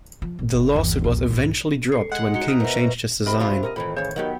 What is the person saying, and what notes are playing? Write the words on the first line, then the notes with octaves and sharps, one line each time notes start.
The lawsuit was eventually dropped when King changed his design.
F3
G#1
G1
G1 D#2 E3
A#1
D1 C2 G#2
A4 C#6 C7
G#3 F#5
D#4 F#4 C#5 C#7 G7
C5 E5 A#5 D#6 F6
B2 F#4 A#4 C5 E5
C3 C4 A#4 D#5 B5
F#3 D4 F4 B5
A#4 C#5 D#5
F2 A2 D#3 E3 B5
C#3 C5 C#5
D#3 F#3 B3 G4